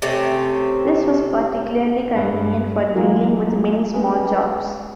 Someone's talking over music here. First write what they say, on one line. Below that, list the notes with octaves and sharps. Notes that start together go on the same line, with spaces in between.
This was particularly convenient for dealing with many small jobs.
C3 A3 C4 C#4
G2
E3 F#3 G#3 A#3 F4
G#3 B3 C#4